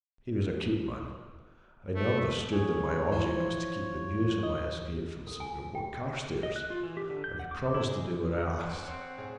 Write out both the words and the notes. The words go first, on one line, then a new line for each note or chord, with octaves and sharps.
He was a cute man, and he understood that my object was to keep the news of my escape from Sir Gilbert Carstairs, and he promised to do what I asked.
A3
G#4 C#5
E3 F3 C5
D#5
A4
G#5
G5
D#5
F#6
F4
E3
G4
D3
G6
F#5
D6
E4
G#3
F#3 A#5
G1 F#5
C4
C4 C#5
D1 G#4 C#5